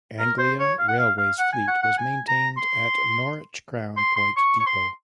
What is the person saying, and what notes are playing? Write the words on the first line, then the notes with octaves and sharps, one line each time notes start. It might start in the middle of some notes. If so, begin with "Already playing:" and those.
Anglia Railway's fleet was maintained at Norwich Crown Point depot.
A#4
C5
C#5
F5
F#5
F5
F5
F#5
G#5
F#5
F#5
G#5
A#5
C6
C6
C6
C#6
C#6
C6